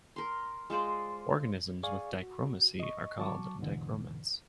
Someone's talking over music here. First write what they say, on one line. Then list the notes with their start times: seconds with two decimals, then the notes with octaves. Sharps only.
Organisms with dichromacy are called dichromats.
0.16 A#4 C6
0.70 G#3 F4 C5 D5
1.83 G#4 D5 F5 G#5 C#6
2.12 F#4
2.80 D#5 C#6
3.19 F#3 A5 C#6 D6
3.59 D#2 G#2 B2 D3 E3